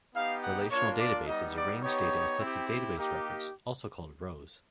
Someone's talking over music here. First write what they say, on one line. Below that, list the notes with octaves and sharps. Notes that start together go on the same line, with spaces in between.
Relational databases arrange data as sets of database records, also called rows.
B3 D#4 G4 F5
F#5
A#3 D4 F4 C#5
D5
G3 B3 D#4 D#5
D5
B3 D#4 G4 C#5
C4 E4 G4
G4
A#3 D#4 G4